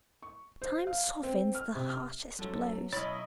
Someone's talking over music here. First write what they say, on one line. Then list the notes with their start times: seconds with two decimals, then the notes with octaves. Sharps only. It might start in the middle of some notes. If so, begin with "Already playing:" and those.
'Time softens the harshest blows.
0.22 C#6
0.62 C5
0.87 F5
1.23 C4
1.55 F6
1.75 C3
1.89 F6
2.39 F#2 F#3 A4
2.93 B1 C#4 E4 C#5 D#5 B5